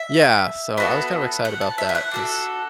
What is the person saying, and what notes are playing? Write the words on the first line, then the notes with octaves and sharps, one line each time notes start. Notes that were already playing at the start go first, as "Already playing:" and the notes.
Yeah, so, I was kind of excited about that 'cause,
Already playing: E5
B3 F#4 A4
F#5
A5
E5
E5
F#5
D4 F#4 A4